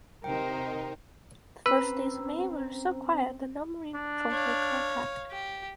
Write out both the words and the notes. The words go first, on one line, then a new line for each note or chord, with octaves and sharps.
The first days of May were so quiet that no Marine patrols made contact.
C3 D#3 D#4 A#4 C5 G5
C4 C#4 B4 C5 A#5 E6
D4
C#5 F5
G4